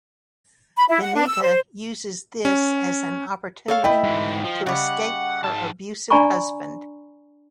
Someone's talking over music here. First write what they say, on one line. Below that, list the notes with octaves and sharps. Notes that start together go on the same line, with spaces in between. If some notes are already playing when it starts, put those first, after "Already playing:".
Benita uses this as an opportunity to escape her abusive husband.
B5
E4
F#5
D4
E6
C5
C#4
A4 C#5 F5
A3 E4 D#5 G5
G#2 E3
F3
C#3 G3 F#5
G#2 A5
D4 D5 G#5 A#5 B5 C#6